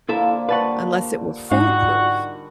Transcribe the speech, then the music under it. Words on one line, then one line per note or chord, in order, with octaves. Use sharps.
unless it were foolproof.
D3 F3 A#3 E4 A4
A#2 G3 B4 D5 F#5 A5 C#6
G#2 G3 D#4 F4 F#5 C#6
D3